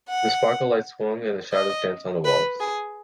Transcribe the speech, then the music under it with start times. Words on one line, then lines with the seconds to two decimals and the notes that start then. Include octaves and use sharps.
The sparkle light swung, and the shadows danced on the walls.
0.09 F#5
1.52 D#5
2.24 B4
2.60 G#4